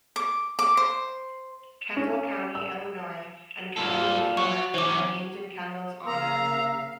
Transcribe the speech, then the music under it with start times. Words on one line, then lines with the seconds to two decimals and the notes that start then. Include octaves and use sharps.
Kendall County, Illinois, and Kendall, New York, are named in Kendall's honor.
0.16 D6
0.59 D6
0.77 C5
1.97 C#4
2.55 E6
3.77 G#2 G3 A#3 F4 A4
4.37 F#4 C#5 C#6
4.74 E3 C#4 C5 C#5 D6
6.06 C#3 A#3 F5 A#5 E6